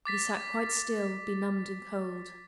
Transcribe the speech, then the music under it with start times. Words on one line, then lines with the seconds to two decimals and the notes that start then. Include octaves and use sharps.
But he sat quite still, benumbed and cold.
0.05 D6 A6 B6